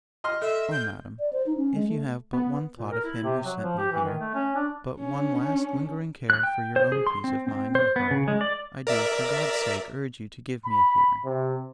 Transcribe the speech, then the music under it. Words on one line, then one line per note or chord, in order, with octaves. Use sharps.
Oh, madam, if you have but one thought of him who sent me here, but one last lingering care for your own peace of mind and heart, I do for God's sake urge you to give me a hearing.'
D#5 C6 F6
A4 E5
G6
D5
C5
D#4
C#4
G#3
A3
B3
A#2
A#4
E4
C3
F#3
F3
G4
E3
D#3
A3
C#4
D4
C#4 D4
F#6
G5
C5
G#4
C6
C4
C4
C5
B3
C#3
G#3
D5
A#4 D5 E5
B5
C3